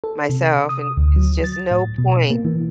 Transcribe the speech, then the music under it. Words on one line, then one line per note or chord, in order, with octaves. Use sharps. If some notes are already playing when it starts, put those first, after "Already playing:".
myself, and it's just no point.
A4
C3
D#6
D2
F#3
A6
A2
B2
A#3
E3